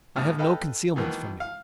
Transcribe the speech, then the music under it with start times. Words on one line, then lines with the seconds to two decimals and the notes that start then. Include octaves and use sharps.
I have no concealments from you.
0.16 A#1 G#2 F6
0.39 A4 B4 D#5 F5 G5 B5
0.96 B2 D#3 E3 F#3 A#3
1.40 F5